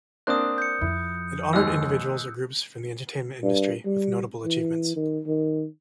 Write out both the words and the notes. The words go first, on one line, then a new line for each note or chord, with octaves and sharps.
It honoured individuals or groups from the entertainment industry with notable achievements.
A#3 C4 D4 D#6 F#6
G6 C#7
F2 E4
D#2 G#2 E6 F#6
G2
G3
E3
D#3
D#3